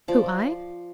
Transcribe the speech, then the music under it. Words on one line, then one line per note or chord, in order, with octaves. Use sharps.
"Who, I?"
F3 D5